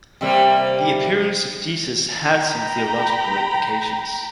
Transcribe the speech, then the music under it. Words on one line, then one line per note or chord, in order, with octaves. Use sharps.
The appearance of Jesus had some theological implications.
C3 G3 A#3
G5 A#5 B5